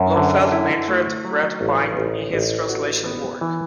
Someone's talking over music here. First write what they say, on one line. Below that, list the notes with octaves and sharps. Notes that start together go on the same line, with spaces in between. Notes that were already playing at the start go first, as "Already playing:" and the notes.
Blofeld mentored Red Pine in his translation work.
Already playing: F#2
D3
E4
A3
F#3
A1
A1
A1
F#4
B3
E3